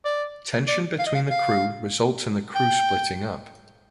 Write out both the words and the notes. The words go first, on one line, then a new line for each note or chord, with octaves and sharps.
Tension between the crew results in the crew splitting up.
D5
D5
F5
D#5
F5
F5
G5